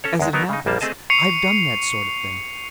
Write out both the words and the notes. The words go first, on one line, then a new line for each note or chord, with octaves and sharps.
As it happens, I've done that sort of thing.
C#4 A4 C#5
E2 G#3
F#3 B3 D#4 A#4
C#3 D#4
A#1 G3 A#3 A5
A3 C4 G#4 D#5 A5
C#6 C7 C#7 D#7 F7